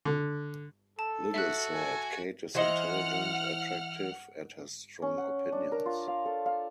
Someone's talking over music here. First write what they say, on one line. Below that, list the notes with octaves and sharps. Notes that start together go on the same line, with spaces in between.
Liddle said: Kate is intelligent, attractive and has strong opinions.
D3
A4 A5
F#4 E5 F#6
G#5
E3 C5 D#5 F#5 F6
C#4
F#5
D4
A#4
F4
F5
A4
F5